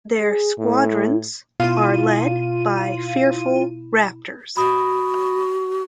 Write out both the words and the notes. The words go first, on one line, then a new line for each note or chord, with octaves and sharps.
Their squadrons are led by the fearful Raptors.
G#4
A2
B2 E4 F4 D#7
F#4 B5 D#6